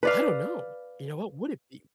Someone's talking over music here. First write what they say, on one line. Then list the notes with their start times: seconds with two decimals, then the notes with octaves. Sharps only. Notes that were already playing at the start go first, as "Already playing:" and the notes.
I don't know. You know, what would it be?
0.03 B4 D5 F5